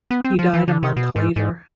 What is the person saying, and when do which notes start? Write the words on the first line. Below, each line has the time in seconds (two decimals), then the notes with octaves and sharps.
He died a month later.
0.11 B3
0.25 C4
0.39 F3
0.54 E3
0.68 D3
0.83 C3
0.96 B2
1.16 G#2
1.36 G#2